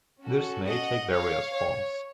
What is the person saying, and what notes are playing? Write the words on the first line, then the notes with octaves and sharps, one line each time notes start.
This may take various forms.
C#4 F#4 A4
D#5 F#5
C#5 F5
C#5